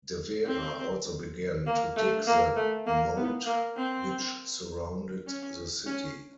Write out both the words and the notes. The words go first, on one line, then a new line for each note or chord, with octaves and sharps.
De Vera also began to dig the moat which surrounded the city.
C4
A#3
A3
A#3
A3
A#3
B3
A#3
C4
C#4
C#4